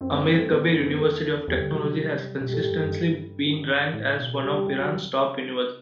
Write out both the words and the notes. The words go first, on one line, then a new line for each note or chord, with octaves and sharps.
Amirkabir University of Technology has consistently been ranked as one of Iran's top universities.
F#2 C4
G2
A3
A2 B3
F#2
B3
E2 A3
E2 G3
D3
C3 F#3
G3
C3
B2 G3
A3
A2 G3
G2
F#2
G2
A2
B2
C3 G3
G3
G3
F#3